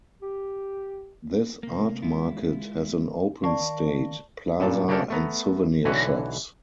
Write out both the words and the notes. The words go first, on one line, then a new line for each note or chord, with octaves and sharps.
This art market has an open state, plaza, and souvenir shops.
G4
C3 A#3
G#3 E4 F4
D#3 A#4 D5 F5 A5 C#6
G2 A#2 A5
C#3 A#3 D4 G4 A4 A#4
A3 B3 A#5
B1 D3 E3 F#4 B4 C#5